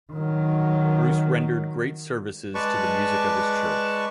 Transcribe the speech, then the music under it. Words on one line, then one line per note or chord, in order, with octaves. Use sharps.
Bruce rendered great services to the music of his church.
D#3 F#3
G#3 B4 D5 A5 C#6